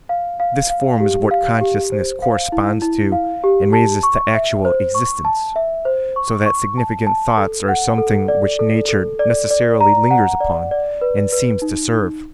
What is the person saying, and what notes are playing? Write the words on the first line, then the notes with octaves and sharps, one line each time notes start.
This form is what consciousness corresponds to and raises to actual existence; so that significant thoughts are something which nature necessarily lingers upon and seems to serve.
F5
F5
F5
G4
F5
G4
C5
F5
E4
E4
F5
G4
A5
C#6
E5
C5
C#6
A5
E5
C5
C#6
C#6
A5
A5
A4
F#5
A4
D5
A4
A4
D5
D5
A#5
F#5
D5
D5
B4
B4
D#4
D#4